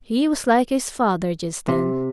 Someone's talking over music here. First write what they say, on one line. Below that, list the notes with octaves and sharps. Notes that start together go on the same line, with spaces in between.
He was like his father just then.
C3